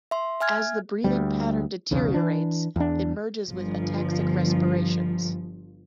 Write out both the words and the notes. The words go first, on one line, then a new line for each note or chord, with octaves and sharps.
As the breathing pattern deteriorates, it merges with ataxic respirations.
E5 C6
E5 G#5 F6 G#6
D2 G3
B1 E2 C#3
E3 D4
E2 D4
G1 F3